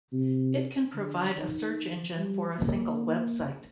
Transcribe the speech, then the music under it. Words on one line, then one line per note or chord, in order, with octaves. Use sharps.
It can provide a search engine for a single website.
C3
D3
D#3
G3
A#3